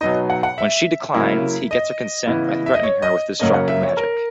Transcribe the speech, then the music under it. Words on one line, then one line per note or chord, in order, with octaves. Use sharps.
When she declines he gets her consent by threatening her with destructive magic.
B2 F#3 B3 D#4 D#5
F#5
F#5
E5
C#3 F#3 A#3 E4
D#5
C#3 E3 B3 E4
E5
D#5
C#5
D#5
F#2 C#3 F#3 A#3 C#4 D#5
F#5
E5
C#5
A#4